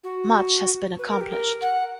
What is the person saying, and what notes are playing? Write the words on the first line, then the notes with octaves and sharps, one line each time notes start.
Much has been accomplished.
F#4
B4
A#4
G4
A#4
F#5